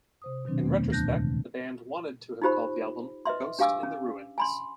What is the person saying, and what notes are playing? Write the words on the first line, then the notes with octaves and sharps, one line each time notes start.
In retrospect, the band wanted to have called the album "Ghost in the Ruins".
C3 C5 D#6
B2 D#3 F#3 C4 D4
E2 A3 B3
D2 E3
A#2 D4 A5 F#6 G6 A#6
C3 D#3 G#3
D#4 F4 G4 C5 B5
B4 D#5 E5 C6
D4 G4 F5 G#5 D6 E6
C#4
G#5 B5 C6